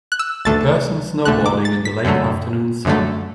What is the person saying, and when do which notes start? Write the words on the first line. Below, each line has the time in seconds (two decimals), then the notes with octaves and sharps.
A person snowboarding in the late afternoon sun.
0.12 F#6
0.19 E6
0.45 D2 D3 A3 A6
1.25 D2 D3 A3 F#6
1.46 D6
1.65 A6
1.85 B6
2.05 F#2 D3 A3
2.85 F#2 D3 A3